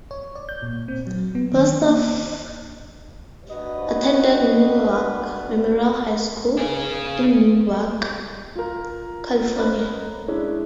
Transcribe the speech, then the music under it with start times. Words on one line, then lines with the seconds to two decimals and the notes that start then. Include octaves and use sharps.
Bostaph attended Newark Memorial High School, in Newark, California.
0.11 C#5
0.35 D5
0.49 G6
0.62 A#2
0.88 C4
1.07 F#3
1.35 B3
1.53 D#3
1.80 A#3
3.50 D4 F#4 B4 D#5
6.58 C#4 G#4
8.55 F4 A#4
9.56 C#4 A#4 C5 D#5 B5 F#6
10.28 G#3 C#4 D4 E4